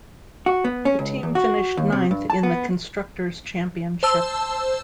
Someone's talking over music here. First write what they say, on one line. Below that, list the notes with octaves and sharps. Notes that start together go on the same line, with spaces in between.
The team finished ninth in the Constructors' Championship.
F#4
B3
C#4
C#2
E2
F#4
D#2
C3
G2
A5
B3
C5 A5 E6